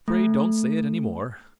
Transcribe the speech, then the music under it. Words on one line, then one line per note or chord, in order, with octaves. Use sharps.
"Pray don't say it any more."
A3